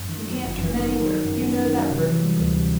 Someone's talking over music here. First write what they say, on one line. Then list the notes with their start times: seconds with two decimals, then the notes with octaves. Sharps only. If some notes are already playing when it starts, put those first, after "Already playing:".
You can't turn anywhere; you know that perfectly.
Already playing: F#2
0.09 D#3
0.26 F#3
0.43 G1
0.58 F#2
0.76 D#3
0.92 D#3
1.08 F#3
1.25 F#2
1.41 F#2
1.58 D#3
1.74 F#3
1.90 C3
2.07 E3
2.23 G3
2.40 D2
2.56 C3